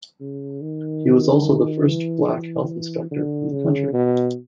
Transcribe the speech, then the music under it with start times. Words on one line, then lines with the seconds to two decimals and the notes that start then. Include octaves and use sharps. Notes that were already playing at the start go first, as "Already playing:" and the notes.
He was also the first black health inspector in the country.
0.21 C#3
0.62 D#3
1.86 E3
2.28 E3
3.11 D3
3.52 C#3
3.93 B2